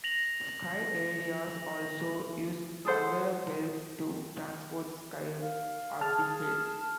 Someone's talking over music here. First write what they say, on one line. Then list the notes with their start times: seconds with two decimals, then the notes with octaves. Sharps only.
Ski areas also use conveyor belts to transport skiers up the hill.
0.04 A#6 F7 F#7
2.85 G#4 A4 C5 F#5
5.42 F5
6.01 G#4 A5 F6